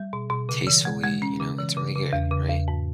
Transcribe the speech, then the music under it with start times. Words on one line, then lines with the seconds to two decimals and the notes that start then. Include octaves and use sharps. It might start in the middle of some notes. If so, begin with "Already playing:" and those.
tastefully you know, it's really good, right?
Already playing: G3
0.13 B2
0.30 B2
0.49 C#3
0.67 E3
0.85 G#3
1.03 G#3
1.22 C#4
1.40 C#3
1.59 E3
1.77 C#3
1.96 C#3
2.13 E2
2.31 C#3
2.49 E2
2.68 G#2